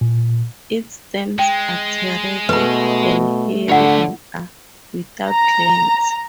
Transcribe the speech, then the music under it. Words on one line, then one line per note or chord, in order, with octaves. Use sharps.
Its stems are terete and hairy and are without glands.
A#2
G#3 G5
B2 A3 B4 B5
D3 F4 C#5 E5 F#5
A#5